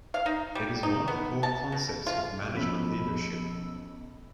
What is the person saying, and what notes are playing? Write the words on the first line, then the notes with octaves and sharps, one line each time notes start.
It is one of the core concepts of management leadership.
F5
D#4
G3
D#4
B3
A5
B2
F4
B1 F3 C#4 B5 E6